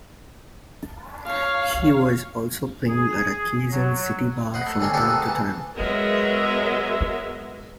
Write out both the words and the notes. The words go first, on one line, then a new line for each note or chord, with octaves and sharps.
He was also playing at a Quezon City bar from time to time.
C#5 F5
G#4
F#3
C5 D#5 F#5 B5
A3
D#2 D3 C4 C#4 C#5 C6
A3 B3 D4 F4 G4 A4
G#2 D#4 F#4
E3 A5
F#3 G#3 B3 A#4 E5